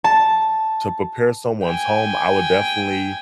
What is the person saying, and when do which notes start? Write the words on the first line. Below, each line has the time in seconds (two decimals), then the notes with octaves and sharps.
to prepare someone's home, I would definitely,
0.04 A5
1.64 G5 G#5